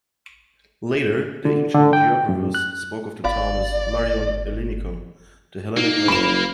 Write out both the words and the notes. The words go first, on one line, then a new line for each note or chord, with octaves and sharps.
Later, the ancient geographers spoke of the town as "Marion Ellinikon"-The Hellenic Marion.
D3
D3
G5
F#2
F#6
G1 F4 D5 F5
A#3 D#4
F#1 B5 E7